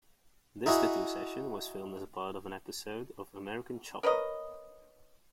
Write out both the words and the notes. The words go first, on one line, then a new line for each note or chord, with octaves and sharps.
This tattoo session was filmed as part of an episode of "American Chopper".
D#4 E4 F#4 G#4
A#4 B4 C#5 D#5